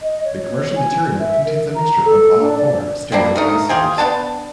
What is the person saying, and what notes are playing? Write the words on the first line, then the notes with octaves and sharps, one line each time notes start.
The commercial material contains a mixture of all four stereoisomers.
D#5
C#5
G#5
E5
A#4
A#5
A4
D4
D5
G3 A#3 D4
A3 D#4 A#4
F4 G4 G#4
B3 D4 A5